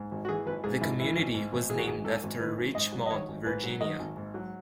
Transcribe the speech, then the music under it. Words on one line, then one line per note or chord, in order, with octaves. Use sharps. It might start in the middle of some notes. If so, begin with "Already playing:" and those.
The community was named after Richmond, Virginia.
Already playing: G#2
G#1
F#4
E3 G#4
G#1 B4
G#2 G#4
G#1 E4
E3 E4
G#1
G#2
G#1
E3 G#4
F#4
G#1 G#4
G#2 A4
G#1
D#3 B4
G#1
G#2 D#5
F#3
D#5
D#3 C#5
G#1
G#2 B4
F#3
D#3 D#5
G#1
G#2
F#3